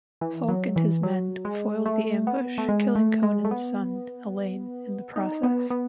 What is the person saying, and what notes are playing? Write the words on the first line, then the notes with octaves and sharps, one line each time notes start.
Fulk and his men foiled the ambush, killing Conan's son, Alain, in the process.
E3
F#3
E3
F#3
G#3
A3
B3
A3
G#3
A3
G#3
A3
B3
D#4
B3
B3